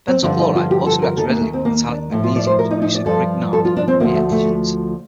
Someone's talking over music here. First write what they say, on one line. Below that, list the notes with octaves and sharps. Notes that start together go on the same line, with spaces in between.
Benzyl chloride also reacts readily with metallic magnesium to produce a Grignard Reagent.
C4
G2 D3 F3 D4
D#4
F4
G4
A4
A#4
D#2 D#3 A4
A#3
A3
C4
A#3
D4
A2 F3 A3
F4
D5
C5
A#4
D#4
D#4
D5
G2 F3 A4
A4
F4
D4
C4
D2 D3 F3 A#3
A3
A3